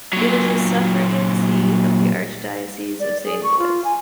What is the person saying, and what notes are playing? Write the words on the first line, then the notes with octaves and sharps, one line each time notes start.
It is a suffragan see of the Archdiocese of Saint Louis.
A#2 F#3
D5
G#4
C#6
F4
G#5